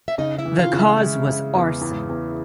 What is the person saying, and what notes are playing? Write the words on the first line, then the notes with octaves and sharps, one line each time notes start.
The cause was arson.
E5
C#3 D#4 D#5
E4 E5
E3
F4 F5
C#3
E5
F5
G#3 E4 E5
C#3
E2
E2
E2